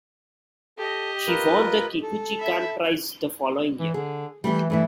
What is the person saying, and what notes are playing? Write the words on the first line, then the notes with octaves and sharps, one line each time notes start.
She won the Kikuchi Kan Prize the following year.
G4 A4 D#5
F4 A#4 B4
A4
E5 B5
E3
D3 G#4
E3 G3 A3 G4
G2 E3 A3 E4